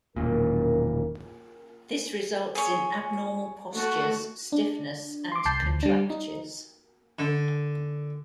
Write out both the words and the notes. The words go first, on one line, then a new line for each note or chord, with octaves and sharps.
This results in abnormal postures, stiffness and contractures.
E1 F#2 A#2 D#3 A#4
G#4 C#5
A3 F#4
D4
C6 D6
C2 A5 G6 C7
D2
G3 D4
D#4
D3